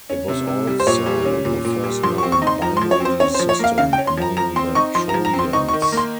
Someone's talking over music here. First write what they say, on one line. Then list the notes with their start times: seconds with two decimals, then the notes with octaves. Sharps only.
It was also the first known binary system among the Trojans.
0.10 C#4
0.28 C3
0.47 C3
0.67 G3
0.80 C5
0.87 A#2 C#5
1.06 G3
1.25 C#4
1.45 A#2
1.65 A#2
1.84 G3
2.03 F3 C6
2.18 C#6
2.23 C4
2.32 C#6
2.42 D#4
2.47 C6
2.62 F3 A#5
2.77 C6
2.81 F3
2.91 C#5
3.00 C4 C5
3.20 C#4 C#5
3.34 C5
3.39 F3
3.49 C#5
3.59 A#3 F5
3.78 C#3 F5
3.93 G5
3.98 C#4
4.07 C6
4.17 F3 A#5
4.37 F3 A#5
4.56 C4 C6
4.75 D#4 C#6
4.95 F3 C6
5.09 A#5
5.14 F3
5.25 A#5
5.33 C4
5.39 C6
5.53 D#4 C#6
5.69 C#6
5.73 D#3
5.82 C#6
5.92 A#3
5.97 C6